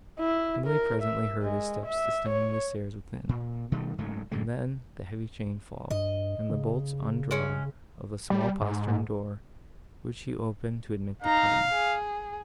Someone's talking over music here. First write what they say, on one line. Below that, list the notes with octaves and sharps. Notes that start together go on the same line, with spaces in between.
Emily presently heard his steps descending the stairs within, and then the heavy chain fall, and the bolts undraw of a small postern door, which he opened to admit the party.
E4
A#4
E5
G#3
E5
C#5
A#2
B2 D#3 G3 A3
F#1 G#2 C#3 A3
F#2 D3 G#3
G2 D#5
C#3
G#3 C#4
G3
G#2
D#4 F5 A#5
G#4